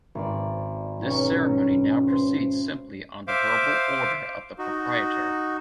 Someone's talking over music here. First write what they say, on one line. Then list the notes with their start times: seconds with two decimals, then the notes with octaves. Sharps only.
This ceremony now proceeds simply on the verbal order of the proprietor.
0.15 G#1 D5
1.02 B1 C#4
2.07 C5
3.28 C5 E5 F5 D6
4.58 D#4 F#4